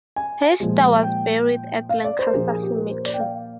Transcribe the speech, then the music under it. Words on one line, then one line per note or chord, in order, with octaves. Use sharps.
Hiester was buried at Lancaster Cemetery.
G#5
A#2 F3 G#3
G5
F5
D5
C5
A#4
A#2 F3 A#3 D4 G#4
G#4
G4
A#4
C5
D5
G5
F5